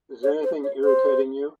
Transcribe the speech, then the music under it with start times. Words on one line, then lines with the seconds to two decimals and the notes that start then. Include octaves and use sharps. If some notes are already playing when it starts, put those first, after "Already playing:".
Is anything irritating you?
0.24 C#5
0.44 C5
0.64 C#5
0.84 C5